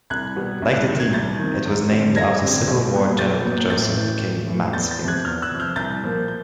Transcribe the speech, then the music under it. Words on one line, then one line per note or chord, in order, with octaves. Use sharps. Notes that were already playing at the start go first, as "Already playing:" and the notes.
Like the team, it was named after Civil War General Joseph K. Mansfield.
C2 F#6 G#6
B2 G3 B3
C2
F#6
C3 D#3 G6
G#6
C2 G6 A6
C3 D#3
F#2
D3 G3 C4
F#2 G#6 A#6
D3 G3 C4
B1
A#2 F#3 B3
B1 G6 A6
A#2 F#3 B3
A1 G6 A6
A2 E3
A1
A2 E3
E2 G6 A6
G6 A6
F3
C3 F#6 G#6
E2 F6 G6
E6 F#6
C3 F3
F6 G6
C2 G6 A6
A#2 F3 A#3
G6